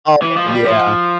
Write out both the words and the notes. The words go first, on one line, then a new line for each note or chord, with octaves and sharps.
Oh yeah.
E3
F3
G#3
G3
F3